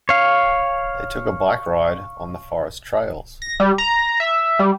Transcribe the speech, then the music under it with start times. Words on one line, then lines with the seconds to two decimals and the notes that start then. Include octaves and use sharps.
They took a bike ride on the forest trails.
0.09 C#5 F5
3.42 A#6
3.60 G3
3.78 A#5
4.20 E5
4.59 G3